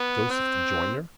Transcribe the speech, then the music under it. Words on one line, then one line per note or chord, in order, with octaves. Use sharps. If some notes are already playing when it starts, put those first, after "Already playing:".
Joseph the Joiner?
Already playing: B3
C4